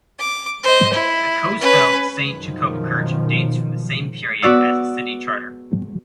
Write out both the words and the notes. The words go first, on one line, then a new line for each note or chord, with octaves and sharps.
The Coesfeld Saint Jacobikirche dates from the same period as the city charter.
D6
C5 D#5
E4
C#4 B4
F#2 B2 D#3 F3
B3 F#4 D5 E6